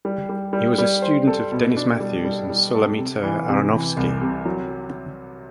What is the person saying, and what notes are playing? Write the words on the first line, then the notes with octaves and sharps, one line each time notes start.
He was a student of Denis Matthews and Sulamita Aronovsky.
G3
G3
G3
G3
C5
A4
B2
D4
G3
G3
G3
A4
C3
E3
C3
E3
C2
C3
F#3